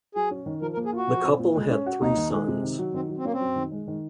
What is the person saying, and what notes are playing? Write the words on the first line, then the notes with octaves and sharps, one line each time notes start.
The couple had three sons.
F#3 G#4
C#4
D#3
F3 A#4
A#4
A#3
G#4
F4 F#4
F3
C4
A#2
G#3
C#4
F#4
D#2 D#4
D#3
G#3
C3
D#3
F#3
D#3 C4
F#3
C4
A#3 C#4
C4
F#2
D#3
G#3
D#3